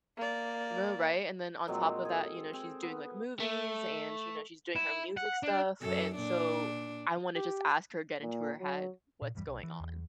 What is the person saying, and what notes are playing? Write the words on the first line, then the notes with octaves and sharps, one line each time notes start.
No, right, and then on top of that, you know, she's doing, like, movies, and, you know, she's doing her music stuff, and so I wanna just ask her, get into her head, what's going on.
A#3 D5
A#2 F#3 G#3 C4
G#4 A4
C4
B3
A3
E4
F#5
D4
F#2 A4
A#2 D4
G4
A#2
F#3
A#2
D#1 G2 E3 G3
B1
E3
E2